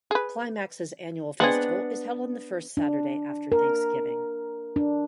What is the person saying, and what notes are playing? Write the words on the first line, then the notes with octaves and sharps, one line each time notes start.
Climax's annual festival is held on the first Saturday after Thanksgiving.
G#4 B4
G#3 B3 C4 D4 G#4 F#5
D4
A#4
D4